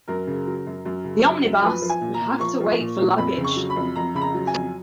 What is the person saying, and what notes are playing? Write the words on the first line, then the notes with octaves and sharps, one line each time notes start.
The omnibus would have to wait for luggage.
F#2 A#4
C#3
F#3
F#2
F#2
C#3
F#3
F#2
F3 B4
F3
G#5
A#2
A#5
A#2
F3 C#6
F3
A#2
A#2
F2 B5
C#3
C#6
F#3
B5
F2
F2 A#5
C#3 B5
A#5
F#3
G#5
F2